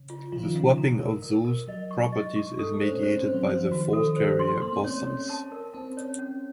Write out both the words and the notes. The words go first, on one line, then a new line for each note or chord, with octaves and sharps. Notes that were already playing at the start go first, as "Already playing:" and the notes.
The swapping of those properties is mediated by the force carrier bosons.
Already playing: C#3
F4
F3 F4
D#3
C#3 F5
D#3
A#5
A#4
A#4
A#4
F#3 D#5
C#6
D#5
C#6
A3 A4
A3
C5
C#4
C#4 C5
C4
C5
F#3
F3 C5
D#3 F#4
D#3 A4
C5
F3 C6
A3
A#3 C6
C4
C#4 C#5
C#5
A5
A#4
C4 A5
C#5
C#4